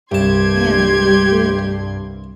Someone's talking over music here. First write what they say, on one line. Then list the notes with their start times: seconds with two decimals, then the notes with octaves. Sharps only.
And it really did.
0.12 C2 G2 G4 A5 C6 G#6